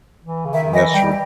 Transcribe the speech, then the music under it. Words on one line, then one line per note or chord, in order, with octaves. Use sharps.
That's true.
E3
C#3
D#3 E5
E3 D#5
G3 G5